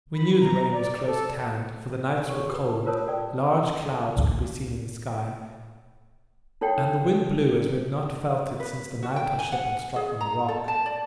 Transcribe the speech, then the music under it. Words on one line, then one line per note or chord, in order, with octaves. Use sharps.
We knew the rain was close at hand, for the nights were cold; large clouds could be seen in the sky, and the wind blew as we had not felt it since the night our ship had struck on the rock.
B5
A#5
D5
A4
G#4 A4 C#5 C#6
G4 B4
A5
F4 A#4 C5 C#5 A5 D#6
A4 D5 G5
A1 D2
D#4 A4 C#5 F#5 G5
B4
F#4
G5
G#5
F#5
G#4
A#5
A4
A5
D5